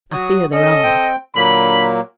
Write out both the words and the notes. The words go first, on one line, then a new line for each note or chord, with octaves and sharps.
I fear there are.
F#3 F#4 D#6
C#4 A4 D#5
C4 G5
A#2 D3 F#3 A#3 B5